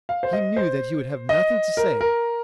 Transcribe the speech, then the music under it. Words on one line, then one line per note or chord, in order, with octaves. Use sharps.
He knew that he would have nothing to say.
F5
C5
D#5
C5
D#5
A#4
A#4